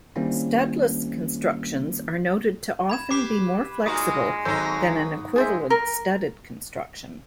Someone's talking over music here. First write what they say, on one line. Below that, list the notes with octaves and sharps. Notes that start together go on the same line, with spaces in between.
Studdless constructions are noted to often be more flexible than an equivalent studded construction.
D#3 G3 A#3 C4 C#4 E4
B5 G#6 E7
G4 B4 D6 C7
A#2 G#3 D#4 F#4 D#6
G#1 F#3 D#4 A4 C5
G#3 G#4 C5 E5
A#4